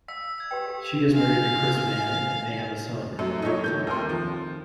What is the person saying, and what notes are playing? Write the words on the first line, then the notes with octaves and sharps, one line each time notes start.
She is married to Chris Mann and they have a son, Rupert.
F5 E6 B6
E6 G#6
G4 B4 G5
G4 A4 F5
F5 G#5
F#2 A3
G2 A#2 D#4 A4 C#5
F2 D#3 A3 G6
D#2 A#4 C6
F3